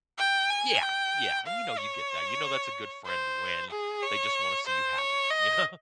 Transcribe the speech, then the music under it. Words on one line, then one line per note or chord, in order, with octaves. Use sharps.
Yeah, yeah, and, you know, you get that, you know that's a good friend when they just wanna see you happy, you know?
G5
G#5
G5
F5
C#5
C5
G#4
C#5
C5
C#5
D#5